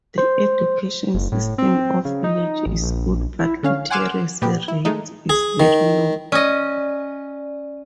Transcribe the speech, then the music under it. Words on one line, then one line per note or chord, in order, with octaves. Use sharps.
The education system of Village is good but literacy rate is very low.
C5
F#1
A2
C4
C#3
D#4
A1
A#1
E4
D3 C#4 F5
F#5 G#5 C6 D6 F6 E7
A#2 B3 G4
E4
D#3 G#3 A3 D#4
G#4
D#3
C#4 D5 D#5